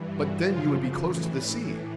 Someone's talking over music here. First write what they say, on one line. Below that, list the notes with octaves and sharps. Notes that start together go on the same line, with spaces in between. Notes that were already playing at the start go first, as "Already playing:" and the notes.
"But then you would be close to the sea?"
Already playing: G2 E3
F#4
F#2 C#3 F3 F4
A2 E3
D4
A2 E3